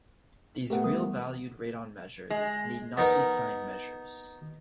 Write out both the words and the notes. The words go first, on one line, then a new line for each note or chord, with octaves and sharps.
These real-valued Radon measures need not be signed measures.
A3 B3 G4 A#4 F#5
E3 G3 D#6
G#3
B3 D#4 A#4 B4